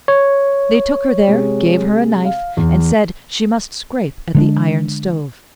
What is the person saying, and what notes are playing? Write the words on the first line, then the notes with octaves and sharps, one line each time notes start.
They took her there, gave her a knife, and said she must scrape at the iron stove.
C#5
C3 G#3
F5
E2
D3 G#3 D4